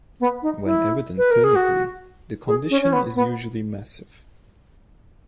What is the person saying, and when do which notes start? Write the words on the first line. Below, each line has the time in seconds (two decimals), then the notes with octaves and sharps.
When evident clinically, the condition is usually massive.
0.20 B3
0.42 D#4
0.65 E4
1.18 B4
1.31 A#4
1.44 G#4
1.56 F#4
2.48 G#4
2.70 C#4
2.82 C#4
2.93 B3
3.15 B3